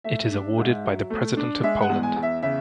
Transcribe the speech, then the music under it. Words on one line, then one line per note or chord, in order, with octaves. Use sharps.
It is awarded by the President of Poland.
A3 E5
D4
G#2
F#3
A3
D4
G#3 E5
F#5
E2
G#5
E2
E5
C#3 E5